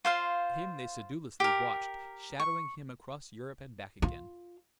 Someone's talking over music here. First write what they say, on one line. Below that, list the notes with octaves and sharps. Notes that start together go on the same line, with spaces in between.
Him they sedulously watched, shadowing him across Europe and back again.
F4 C5 F5
G4 A#4
C#6
F4